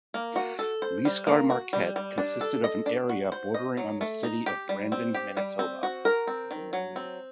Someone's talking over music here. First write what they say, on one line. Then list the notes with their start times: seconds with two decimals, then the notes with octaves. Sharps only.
Lisgar-Marquette consisted of an area bordering on the City of Brandon, Manitoba.
0.14 A#3
0.36 F#4
0.59 A4
0.82 C5
1.05 G3
1.27 A#3
1.50 F#4
1.73 G3
1.96 G3
2.18 D4
2.41 A4
2.64 D#5
2.86 D4
3.09 F#4
3.32 C5
3.54 D#5
3.77 F#3
4.01 A3
4.23 D#4
4.46 G4
4.69 G3
4.92 C4
5.14 G4
5.37 G3
5.59 C4
5.83 F#4
6.05 A#4
6.27 C4
6.51 D#3
6.73 F#3
6.96 C4